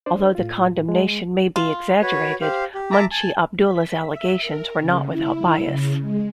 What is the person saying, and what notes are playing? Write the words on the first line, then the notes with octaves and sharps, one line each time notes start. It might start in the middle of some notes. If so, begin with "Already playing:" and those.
Although the condemnation may be exaggerated, Munshi Abdullah's allegations were not without basis.
D4 C5 D5
A2 F4
G#3
F4
F#4 B4 C#5
G4 C5 F5
G4
E5 A5 A#5 D6
G#5 A5
B6
E5
A#4
C#3
E4
C#3
G#3